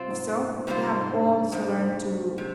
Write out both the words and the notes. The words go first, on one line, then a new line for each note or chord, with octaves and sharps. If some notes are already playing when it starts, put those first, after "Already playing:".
If so you have also learned to rule.
Already playing: C3 G3 C4 F4 C5
G#2
A#2
G#2 C3 G3 C4 F4 C5
G#2
G2
F2 G#2 C3
C3